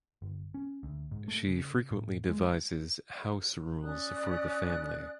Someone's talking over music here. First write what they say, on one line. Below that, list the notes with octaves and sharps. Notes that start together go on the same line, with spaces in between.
She frequently devises "house rules" for the family.
G1
C#4
D2
G#2
A3
C#3
A2
G#3
C#4 D5 D#6 F#6